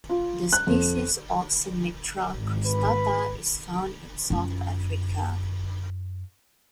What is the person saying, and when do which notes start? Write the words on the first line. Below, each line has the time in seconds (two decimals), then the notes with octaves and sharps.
The species "Oxymitra cristata" is found in South Africa.
0.09 F4
0.53 F#6
0.67 F2
2.37 G#1
2.66 B4
4.30 F#2 F4